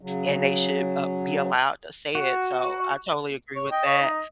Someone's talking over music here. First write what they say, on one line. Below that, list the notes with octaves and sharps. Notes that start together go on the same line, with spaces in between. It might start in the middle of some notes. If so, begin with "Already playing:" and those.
and they should, uh, be allowed to say it, so I totally agree with that,
C#3 F#3
F#4
C#5
D#5 G5
C#5
D#4